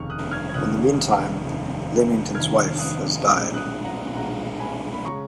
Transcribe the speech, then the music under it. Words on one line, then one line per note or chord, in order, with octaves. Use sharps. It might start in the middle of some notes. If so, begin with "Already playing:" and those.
In the meantime, Leamington's wife has died.
Already playing: F1 D#2 C#3 C#6 F6
D#6 F#6
F6 G#6
G#6
F1 D#2 C#3 D#6 F#6
F1 D#2 D#3
F1 D#2 D#3 F6 G#6
D#6 F#6
B1 A#2 G#3
D#6 F#6
F#5 A#5
B1 A#2 G#3 F#5 A#5
G#5 B5
B5
C#3 G#3 C#4 A#5 C#6